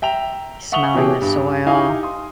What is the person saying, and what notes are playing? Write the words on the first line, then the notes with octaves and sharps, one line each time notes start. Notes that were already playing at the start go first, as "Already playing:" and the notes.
smelling the soil,
E5 G5 A#5 F7
E5 F#5 C#6 D#6 F7 G7
B2 E3 C#4 E4 G4 G#4
G2
D#4 E4 G4 F5 G#5
C6 D#6